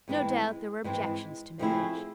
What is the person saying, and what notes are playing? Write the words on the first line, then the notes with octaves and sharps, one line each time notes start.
No doubt there were objections to marriage.
G#2 E3 G#3 C4
G#2 E3 G#3 C4
F3 A3 C4 E4 G#4